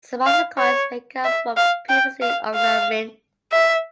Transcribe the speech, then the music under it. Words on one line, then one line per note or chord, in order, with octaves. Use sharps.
Some of the coins may come from previously unknown mints.
F5
C#5
E5
F5
G5
F5
F5
E5